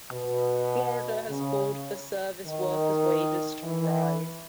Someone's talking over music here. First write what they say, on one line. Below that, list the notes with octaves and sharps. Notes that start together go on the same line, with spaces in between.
Florida has called for service workers' wages to rise.
B2
C#3
D#3
E3